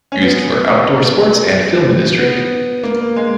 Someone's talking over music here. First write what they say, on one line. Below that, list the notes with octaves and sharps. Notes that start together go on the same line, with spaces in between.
Used for outdoor sports and film industry.
C#4
B3
B3
A#3
G#3